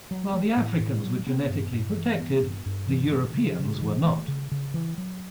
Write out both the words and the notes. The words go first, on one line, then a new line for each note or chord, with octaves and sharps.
While the Africans were genetically protected, the Europeans were not.
F#3
A3
A2
A2
F#3
B3
G2
G2
E3
B3
G2
G2
E3
A3
C#3
C#3
E3
A3
C#3
C#3
E3
F#3